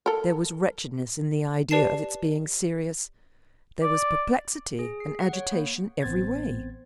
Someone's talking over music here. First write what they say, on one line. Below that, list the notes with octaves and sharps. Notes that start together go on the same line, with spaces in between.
There was wretchedness in the idea of its being serious; there was perplexity and agitation every way.
A4 A#4
G4 B4 D5 A5 C7 E7
D5
G#4
C7
F#5
C#5
A#3
A1 B3 C4 C5 G#6 A6